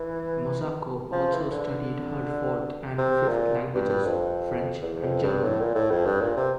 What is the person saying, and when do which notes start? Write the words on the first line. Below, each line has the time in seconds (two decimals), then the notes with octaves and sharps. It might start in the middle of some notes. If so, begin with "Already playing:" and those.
Masako also studied her fourth and fifth languages, French and German.
Already playing: E3
1.12 F3
1.33 E3
1.53 D3
2.98 C3
3.28 A#2
3.75 G2
3.89 G2
4.06 F2
4.82 E2
5.02 F2
5.24 G2
5.44 A2
5.60 A#2
5.75 A2
5.91 F2
6.06 G2
6.21 A#2
6.37 C3